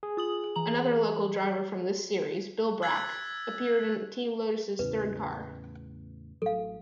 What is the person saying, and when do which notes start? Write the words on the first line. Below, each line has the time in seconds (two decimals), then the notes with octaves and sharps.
Another local driver from this series, Bill Brack, appeared in Team Lotus's third car.
0.03 G#4
0.17 F4 D#6 F#7
0.56 E3 A#5 F#7
2.82 E6 F#6 G#6 A6 B6 F#7
4.79 E2 A2 C#3 B4
6.42 A1 F#3 A4 F5